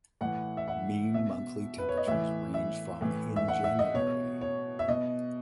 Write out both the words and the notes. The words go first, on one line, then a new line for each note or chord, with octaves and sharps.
Mean monthly temperatures range from in January.
A2 E3 F#5
E5
F#5
B2 E5
B4
C#5
D#5
A2 E3 E5
E5
A2 E3
E5
F#5
E5
D#5
B2 C#5
C#5
E5
B2 D#5